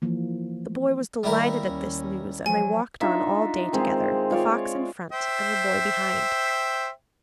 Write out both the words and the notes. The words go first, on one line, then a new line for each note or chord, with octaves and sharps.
The boy was delighted at this news, and they walked on all day together, the fox in front, and the boy behind.
E3 F3 A#3
D#3 G3 A#3 E4 A#4
D#2 C#4
F3 F#3 G#5
D4 D#4 F4 E5
D#3 G#3 C4
F4 C#5 D5
C5 E5 G5